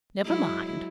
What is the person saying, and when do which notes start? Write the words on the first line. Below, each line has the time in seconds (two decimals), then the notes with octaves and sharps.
Never mind.'
0.25 F#3 G#3 E4